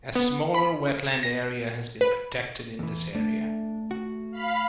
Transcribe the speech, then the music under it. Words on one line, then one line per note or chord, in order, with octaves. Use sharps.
A smaller wetland area has been protected in this area.
B3
B5
A#6
B4
E2 E3
A3 D4
F#4
F5 B5